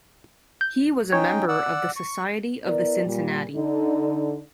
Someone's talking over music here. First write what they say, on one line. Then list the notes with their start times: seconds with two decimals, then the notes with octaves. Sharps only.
He was a member of the Society of the Cincinnati.
0.61 G6
1.12 C#4 D#4 C#5 G5
1.48 D5 F#5 E6
1.96 C#6
2.63 B3 E4 A#4 D5
3.04 A#2 G3
3.54 D3 D#4